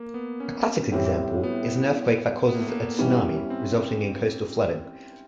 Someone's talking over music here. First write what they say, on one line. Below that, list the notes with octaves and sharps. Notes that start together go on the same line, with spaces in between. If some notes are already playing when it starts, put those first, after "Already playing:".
A classic example is an earthquake that causes a tsunami, resulting in coastal flooding.
Already playing: A#3
B3
C#4
A2 E3 G3 C4
B3
B3
A#3
A3
A#3
G#2 E3 G3 B3 C#4
C4